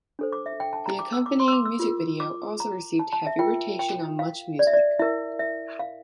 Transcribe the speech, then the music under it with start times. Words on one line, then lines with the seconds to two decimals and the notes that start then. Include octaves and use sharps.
The accompanying music video also received heavy rotation on MuchMusic.
0.19 D4 A4 C5
0.33 D6
0.46 E5
0.60 G5
0.73 A5
0.86 A#5
0.99 D6
1.13 E6
1.26 D6
1.40 C6
1.48 E6
1.53 D6
1.66 E6
1.79 F4 A#4
2.20 D6
2.60 A#5
2.99 A5
3.13 A5
3.27 E5
3.39 F4 A#4 G5
3.79 G5
4.19 F5
4.59 D5
4.67 E5
4.73 D5
4.99 E4 A#4 E5
5.39 E5
5.79 F5